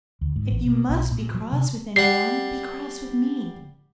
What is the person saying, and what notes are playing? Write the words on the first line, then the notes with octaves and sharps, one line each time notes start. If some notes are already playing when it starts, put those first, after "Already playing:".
If you must be cross with anyone, be cross with me.
D2
G#2
A1
B2
B1
A#2
F#3
C3
G3 F#5 C7